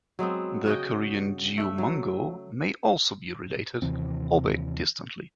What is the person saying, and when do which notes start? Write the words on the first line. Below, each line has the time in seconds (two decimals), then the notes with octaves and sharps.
The Korean "geomungo" may also be related, albeit distantly.
0.19 F#3 G#3 B3 C4
0.66 C#3 F#4 D#5 G5
1.58 A3 E5
1.78 F#3
3.82 D#2 C3 E3 C4